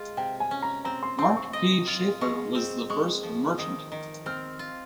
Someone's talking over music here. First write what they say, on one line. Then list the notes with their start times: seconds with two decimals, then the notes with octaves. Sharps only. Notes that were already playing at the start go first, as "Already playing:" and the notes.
Mark P. Sheffer was the first merchant.
Already playing: G#3 F4
0.17 C3 G5
0.40 G#5
0.51 C#4
0.62 A#5
0.85 C4 A#5
1.03 C6
1.19 C4 C6
1.36 C#6
1.53 D#5
1.87 F4
2.21 G#3 C#6
2.55 C4
2.90 G#3 C#6
3.23 F3
3.58 D#3 D#6
3.92 D#3
4.26 C4 F6
4.59 F4